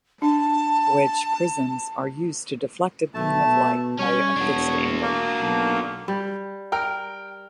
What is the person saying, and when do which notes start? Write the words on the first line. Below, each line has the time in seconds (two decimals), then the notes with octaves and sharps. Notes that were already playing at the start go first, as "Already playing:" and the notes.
Wedge prisms are used to deflect a beam of light by a fixed angle.
0.22 D4 A5
3.14 B1 A3 A5
3.44 B2
3.99 G3 C#4 C#5
4.36 E1 D4 F#4
5.02 A#3
5.40 B1
6.08 G3
6.72 A#4 G5 F6